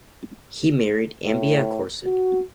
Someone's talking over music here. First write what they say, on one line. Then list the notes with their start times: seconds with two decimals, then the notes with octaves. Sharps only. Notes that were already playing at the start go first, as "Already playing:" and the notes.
He married Ambia Corson.
1.25 A2
2.04 F#4